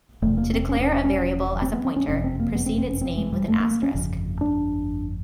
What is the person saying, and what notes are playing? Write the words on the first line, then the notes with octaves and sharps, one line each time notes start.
To declare a variable as a pointer, precede its name with an asterisk.
E1 E2 C3 A3
A#3
C4
C#4
C#4
C#4
C#4
C4
B3
C4
C#4
F#1 F2 C3 C#4
C4
A#3
B3
C4
C4
C#4
C4
G#3
G3
A3
A#3
A#3
C#4
G1 F2 C#3
D4